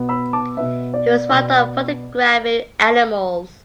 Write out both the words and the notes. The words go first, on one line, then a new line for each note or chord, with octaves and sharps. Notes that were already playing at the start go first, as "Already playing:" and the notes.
He was fond of photographing animals.
Already playing: B2 B3
B5 E6
A5 D6
B2 B3 B4 E5
D5
B2 B3